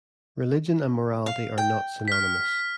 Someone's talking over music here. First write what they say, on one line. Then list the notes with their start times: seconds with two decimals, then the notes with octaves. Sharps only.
Religion and morality are not synonymous.
1.26 F5
1.58 G5
2.08 F6 B6